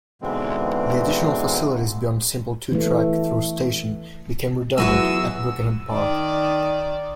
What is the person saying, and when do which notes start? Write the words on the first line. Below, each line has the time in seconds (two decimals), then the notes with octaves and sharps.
The additional facilities beyond a simple two-track through station became redundant at Birkenhead Park.
0.22 G#2 B2 D3 E3 G#3 C4
2.72 E3 A3
4.78 F#2 E3 F#3 B3 F#4 G#4 E6
5.92 D#3 D5